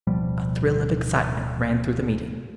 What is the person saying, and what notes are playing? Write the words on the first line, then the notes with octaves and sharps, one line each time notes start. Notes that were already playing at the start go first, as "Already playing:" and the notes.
A thrill of excitement ran through the meeting.
D1 B2 F3 G3